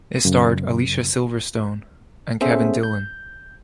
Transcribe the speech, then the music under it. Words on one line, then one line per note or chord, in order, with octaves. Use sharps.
It starred Alicia Silverstone and Kevin Dillon.
F#2 C#3
B3 C#4 G#4 A4 C5 E5
G6